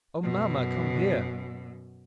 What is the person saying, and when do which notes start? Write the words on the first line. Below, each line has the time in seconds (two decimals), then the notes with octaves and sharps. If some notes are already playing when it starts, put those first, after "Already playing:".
Oh, mamma, come here.
0.24 F#2 B2